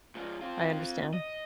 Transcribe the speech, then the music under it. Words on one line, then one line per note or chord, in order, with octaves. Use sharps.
I understand.
G#2 F3
C4 F4
D#5